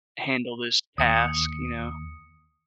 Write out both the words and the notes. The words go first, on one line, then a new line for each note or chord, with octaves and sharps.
handle this task," you know?
D#2 D#6 C#7